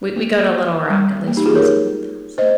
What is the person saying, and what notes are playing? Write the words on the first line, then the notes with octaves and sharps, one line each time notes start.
We we go to Little Rock at least once a month, so
A#3
G3
A#3
D#4 G4
F4 G#4
A#4 C#5
C5 D#5